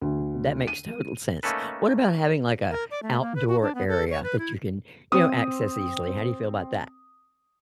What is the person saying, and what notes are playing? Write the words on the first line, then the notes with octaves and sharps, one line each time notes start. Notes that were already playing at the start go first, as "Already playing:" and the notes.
m that makes total sense. What about having, like, a outdoor area that you can, you know, access easily, how do you feel about that?
D2
D#7
A3 A#3 C#4 D#4 A4 B4
A#4
D5
A3
A#3
B4
F#4
D4
B3
A4
C#5
B4
E4
C4 D#6